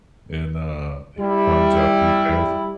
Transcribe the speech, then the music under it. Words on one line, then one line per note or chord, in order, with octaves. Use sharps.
And, uh, he finds out he has
G3 E4